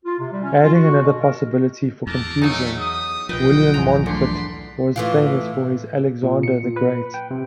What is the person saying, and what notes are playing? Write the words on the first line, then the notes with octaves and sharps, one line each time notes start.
Adding another possibility for confusion, William Mountfort was famous for his Alexander the Great.
F4
C3
G3
C#4
F4
F#4
B2
A#4
E2 A5 A#5 D6
F#3 A3 D#4 G#4 C#7
D#6
B1 F3 B4 D#5 F#5 G5
E2 G#2 G#5 A#5
D3 A3 B4 D5 C6
A2 E3 F4
A#2
C#7
A#2
B4
G5
C3